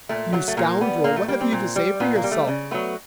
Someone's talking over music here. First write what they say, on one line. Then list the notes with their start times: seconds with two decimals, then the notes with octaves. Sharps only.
You scoundrel, what have you to say for yourself?
0.09 A#2 A3
0.33 F#3 A3 A#3
0.48 A3
0.57 A#2 A#3
0.81 G3 B3
1.04 A#2 A#3
1.16 A3
1.28 G3 A#3
1.41 C4
1.52 A#2
1.76 G3
2.00 A#2 B3
2.16 A#3
2.23 G3
2.31 A3
2.48 C#3
2.71 F#3 A3 B3